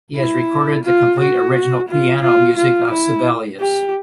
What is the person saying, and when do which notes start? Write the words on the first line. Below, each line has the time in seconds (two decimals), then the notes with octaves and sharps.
He has recorded the complete original piano music of Sibelius.
0.16 E4
0.84 F4
1.19 F#4
1.89 F4
2.22 F4
2.57 F4
2.91 E4
3.61 G4